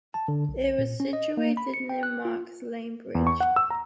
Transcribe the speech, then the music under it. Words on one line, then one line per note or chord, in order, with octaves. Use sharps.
It was situated near Marks Lane bridge.
A5
D3
B1
A#2
C#4
D#5
A#3
B5
C#7
G5
F#6
F4
E2
C#6
F#5
E6
A#5